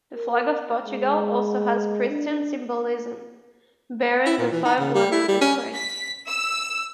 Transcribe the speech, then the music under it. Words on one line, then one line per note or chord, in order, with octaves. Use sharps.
The Flag of Portugal also has Christian symbolism, bearing the five wounds of Christ.
A#4
G#3
D4
E4
A#2
E3
D#4
C#3
G3
E4
G3
C#4
B6
E6